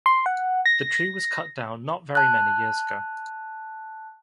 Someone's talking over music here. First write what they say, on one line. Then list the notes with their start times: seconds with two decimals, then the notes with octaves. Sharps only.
The tree was cut down not very many years ago.
0.06 C6
0.26 F#5
0.66 A#6
2.15 A5 F#6